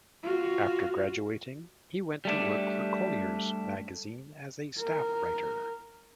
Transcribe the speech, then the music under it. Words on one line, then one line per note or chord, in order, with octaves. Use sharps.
After graduating, he went to work for "Collier's" magazine as a staff writer.
F4 F#4
G3 A3 D4
A#4